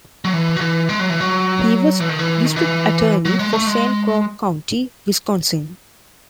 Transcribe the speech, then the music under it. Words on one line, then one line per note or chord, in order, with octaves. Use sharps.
He was district attorney for Saint Croix County, Wisconsin.
F#3
E3
F#3
E3
G#3
F#3
E3
F#3
E3
D#3
E3
D#3
E3
F#3
G#3
A3
G#3